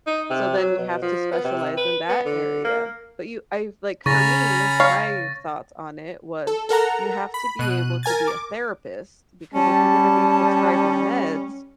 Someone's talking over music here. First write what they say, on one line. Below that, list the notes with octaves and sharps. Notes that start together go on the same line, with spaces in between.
So then you have to specialize in that area, but you I like for me, my thoughts on it was: you have to be able to be a therapist because if you're gonna be prescribing meds,
D#4
C3
F#3
B2
F3
B3
C3
B4
B3
D3
A#3
C#3 C#4 A#5 B5 C#6 A6 A#6
C#5 F5
A4
A4 A#4 F#5 A#5
B5
B2 F#6 D#7
A#4 G#5 G#6 A6
D6
G3 C#4 A5